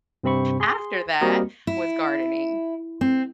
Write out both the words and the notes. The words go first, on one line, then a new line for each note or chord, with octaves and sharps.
after that was gardening,
G2 C3 C4 B5 C#6
G#4 C6
G3 A#3 C4 F#4 A#4 D#5
E4
C4